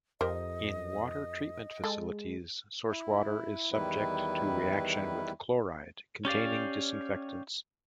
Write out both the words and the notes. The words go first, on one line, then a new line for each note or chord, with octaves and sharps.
In water treatment facilities, source water is subject to reaction with chloride containing disinfectants.
F2 G4 A#4 C5 D#5
G#3 A4
E4
E2 D#3 G3 E4 B4
C#4 G4 D5 F5